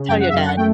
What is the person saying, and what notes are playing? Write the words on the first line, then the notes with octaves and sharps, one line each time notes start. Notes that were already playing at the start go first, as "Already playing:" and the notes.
Tell your dad.
Already playing: C#3
F#2 G5
F#5
E5
F#2 F5
F#5
A3 G5